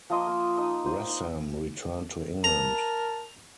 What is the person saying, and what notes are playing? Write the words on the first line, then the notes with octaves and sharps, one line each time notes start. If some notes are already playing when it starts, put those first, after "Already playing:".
Rassam returned to England.
F3 A#3 D#5 C6
A#3
D#4 D#5
C5
A#4 A5 A#5